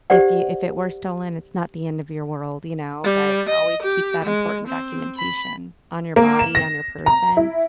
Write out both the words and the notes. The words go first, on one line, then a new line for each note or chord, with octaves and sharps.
if you if it were stolen, it's not the end of your world, you know, but always keep that important documentation on your body, on your person,
G4 C5 D5 F#5
G3
D#5
G4
G#3
C4
B5
A#3
E7
A#6
A#5
E4